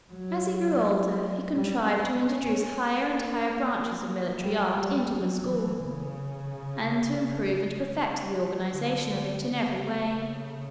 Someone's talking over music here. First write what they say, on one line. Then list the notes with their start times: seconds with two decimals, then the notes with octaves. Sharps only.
As he grew older he contrived to introduce higher and higher branches of military art into the school, and to improve and perfect the organization of it in every way.
0.12 F#3
1.55 G3
1.91 B3
2.26 C#4
2.99 A#3
4.42 G3
4.78 G3
5.13 F#3
5.49 E3
5.85 C#3
8.71 D3
9.43 C#3
10.14 C#3